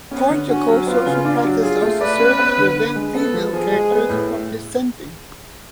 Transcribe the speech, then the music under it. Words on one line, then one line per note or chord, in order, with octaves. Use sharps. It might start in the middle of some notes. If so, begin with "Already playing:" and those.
Patriarchal social practice also serve to prevent female characters from dissenting.
B3 C#4
D3
C#4 F#4
F#3
B3 F4
C#3
D4
F#3
F4 G#4
A3
B4 D5
C#4
B3
D3
D3
G#3
B3 A4
F3
F3 G#4
G#3
B3
A2